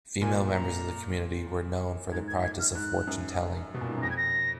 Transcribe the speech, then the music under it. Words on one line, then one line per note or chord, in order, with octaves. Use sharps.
Female members of the community were known for their practice of fortune-telling.
A#2 G#5
A#5
G#2 G#6
G#6
G#6
F6
G#2 F#6
F#2
B2
A#2
G#2
F#2
F2 A#6
G#6
A#6